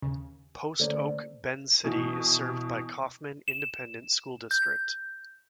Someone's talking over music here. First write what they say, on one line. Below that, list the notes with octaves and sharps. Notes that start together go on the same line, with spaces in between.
Post Oak Bend City is served by Kaufman Independent School District.
D#2 C#3
D3 A3 A#3 C#4 C5 D5
B2 E3
E7
G6